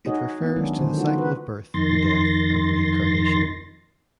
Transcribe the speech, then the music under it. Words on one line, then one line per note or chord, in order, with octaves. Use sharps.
It refers to the cycle of birth and death and reincarnation.
D#4 F#4 G#4 C#5 D#5
A#3 B3
D#3 F#3 G#3 C#4 D4 E4
D3 D#3 C5
D#4 F4 F#4
F#4 B4
F2 D#3 C6 A6 A#6